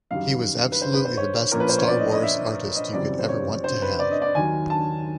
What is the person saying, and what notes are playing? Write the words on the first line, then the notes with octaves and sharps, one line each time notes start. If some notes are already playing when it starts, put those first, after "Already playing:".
He was absolutely the best "Star Wars" artist you could ever want to have.
F#2 D#3 G3 F5
B4
C5
B4
C5
C#5
A#2 F3 A#3 C#4 A#4
B4
C5
C#5
D5
D#5
D#5
E5
D#5
F#2 C#3 E3 G3 C4 D5
C5
C#5
C5
B4
D5
D#5
D5
D#2 D#3 F#3 G#5
A5